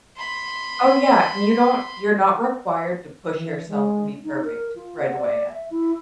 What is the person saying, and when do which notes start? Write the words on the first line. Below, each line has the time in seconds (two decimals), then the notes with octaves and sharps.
Oh, yeah, and you don't you're not required to push yourself and be perfect right away, a
0.17 B5 C6
3.37 E3
3.68 G#3
4.24 D#4
4.44 A#4
4.76 F4
4.99 F#5
5.16 D5
5.49 E5
5.71 E4